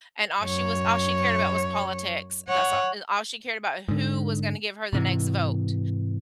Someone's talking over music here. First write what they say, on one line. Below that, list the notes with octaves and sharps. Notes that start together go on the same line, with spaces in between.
and all she was all she cared about was politics, that's a a all she cared about who was gonna give her the next vote,
F#2 C#5
C#5 F#5
G#2 D3
G#2 C3 E3